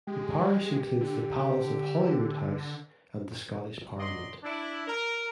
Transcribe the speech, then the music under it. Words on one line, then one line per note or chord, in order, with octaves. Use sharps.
The parish includes the Palace of Holyroodhouse and the Scottish Parliament.
G#3 G4
D3
F#3 D5 D#5 C6
D4 E4
A#4